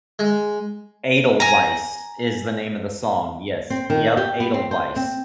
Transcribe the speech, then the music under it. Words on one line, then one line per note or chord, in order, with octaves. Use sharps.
Edelweiss is the name of the song, yes, yep, Edelweiss.
G#3
G#5 A#5
C4
D#3
G4
B3
C4
C5
C4